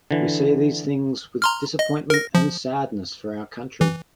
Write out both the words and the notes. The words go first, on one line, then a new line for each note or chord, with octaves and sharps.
We say these things with disappointment and sadness for our country.
D3 E3
A#5 C6 F6
D#5
A#4 A#6
F3
E3